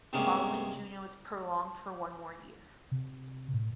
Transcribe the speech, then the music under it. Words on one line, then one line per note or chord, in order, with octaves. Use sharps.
Following June it was prolonged for one more year.
G2 C3 G#3 A#3 B3 C#4
C3
A2